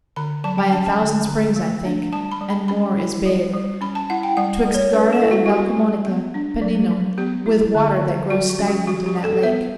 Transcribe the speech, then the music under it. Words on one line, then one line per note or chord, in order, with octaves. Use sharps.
By a thousand springs, I think, and more, is bathed, 'Twixt Garda and Val Camonica, Pennino, With water that grows stagnant in that lake.
D3 B5
F#3 A5
G5
C#4 A5
A5
D3
D3
A3
D4
G3 A5
B5
G3
B5
C#4 B5
E4
G3
G3
C#4 B5
A5
E4 F#5
G5
G3 F#5
G3
C#5
C#4 B4
A4
E4
F#4
F#4
G3 G4
G3
B3
D4
F#3
F#3
B3 G4
E4
D3
D3
F#3 F#4
F#4
C#4
G4
G3 F#4
G4
G3
A4
B3 E5